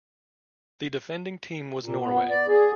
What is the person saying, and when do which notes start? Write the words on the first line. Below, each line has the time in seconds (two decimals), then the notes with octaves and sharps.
The defending team was Norway.
1.83 A#2
2.00 B3
2.29 D5
2.48 G#4